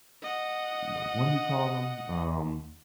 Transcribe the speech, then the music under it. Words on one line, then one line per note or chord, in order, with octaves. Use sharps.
you know, what do you call them, um
D#5 F#5